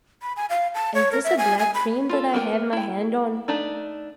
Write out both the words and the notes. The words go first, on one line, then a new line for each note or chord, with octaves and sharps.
Is this a black frame that I have my hand on?
B5
G#5
F5
A5
C#5
A#4
E5
G#5
G#5
B5
F4 A4
A#3 B3 F#4 A#4 G5
E4 G5
A3 D4 D#4